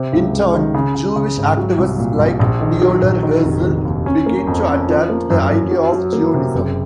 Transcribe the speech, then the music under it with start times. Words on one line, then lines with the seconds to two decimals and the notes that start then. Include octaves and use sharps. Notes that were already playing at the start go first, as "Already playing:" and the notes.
In turn, Jewish activists like Theodor Herzl began to adopt the idea of Zionism.
Already playing: C3
0.13 C#2
0.33 C#2
0.54 D#3
0.74 C#3
0.95 C#3
1.16 C#3
1.37 G#1
1.57 F#3
1.78 C2
1.99 A#2
2.19 C2
2.39 A#1
2.61 D#3
2.82 F#3
3.02 A#1
3.23 D#3
3.44 F1
3.65 D#3
3.85 D#2
4.06 C#4
4.26 A#3
4.47 F2
4.68 C#4
4.89 F3
5.10 A#3
5.30 F#2
5.51 F#2
5.71 F#3
5.92 F#3
6.13 A#3
6.34 C3
6.54 F#1